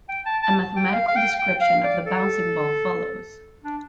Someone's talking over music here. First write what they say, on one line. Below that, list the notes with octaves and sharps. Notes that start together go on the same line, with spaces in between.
A mathematical description of the bouncing ball follows.
G5
A5
A5
G5
F5
F5
G5
G5
F5
D5
A4
D4